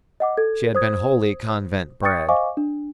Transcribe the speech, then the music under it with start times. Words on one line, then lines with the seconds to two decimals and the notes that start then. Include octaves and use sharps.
She had been wholly convent-bred.
0.20 D#5 F#5 D6
0.37 A4 G#6
0.75 C5 D#6 G#6
2.03 G5 C#6 D#6 A6 C#7
2.29 C5 D#5 F5 G#5 C#6 D6
2.57 D4